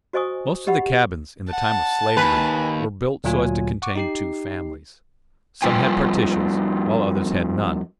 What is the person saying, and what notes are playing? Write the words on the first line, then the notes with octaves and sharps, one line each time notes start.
Most of the cabins in the time of slavery were built so as to contain two families; some had partitions, while others had none.
F#4 C5 D#5 G#5 C#6 D#6
G4 D#5 F#5 B5
F#5 A5
D#2 B4 G#5
D2 A#2 F#3 F4 G#5
F#5 C#6 D6
D#4 G4 C7
F2 G3 F4 B4 G5 G#5